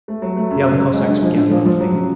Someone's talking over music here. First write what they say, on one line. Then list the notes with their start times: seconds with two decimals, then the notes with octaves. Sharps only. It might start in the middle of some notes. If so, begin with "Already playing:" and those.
The other Cossacks began laughing.
0.08 A3
0.22 F#3
0.37 A3
0.51 F#2
0.65 F#3
0.79 F#3
0.93 G#3
1.07 D3
1.22 F3
1.36 D3
1.51 F3
1.65 F3
1.80 F#3
1.94 C#3